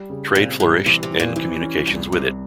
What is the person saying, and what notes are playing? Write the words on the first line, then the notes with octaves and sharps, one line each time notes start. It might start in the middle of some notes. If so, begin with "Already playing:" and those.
Trade flourished, and communications with it.
Already playing: G3
C#3
A#2 C4
G#2 G3
C3 E3
C3
E3
A#2
C3 E3
C#4
C2 A#2
C2 C3